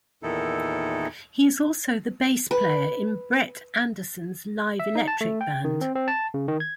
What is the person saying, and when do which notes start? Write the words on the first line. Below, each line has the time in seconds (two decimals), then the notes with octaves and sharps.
He is also the bass player in Brett Anderson's live electric band.
0.23 E2 A#2 D#3 D#4 E4 A4
2.51 B4
4.80 E5
4.95 D#4
5.08 A5
5.21 A3
5.41 G5
5.64 D#3
5.81 C4
5.95 C4
6.08 A5
6.34 C#3
6.48 D#3
6.60 G#6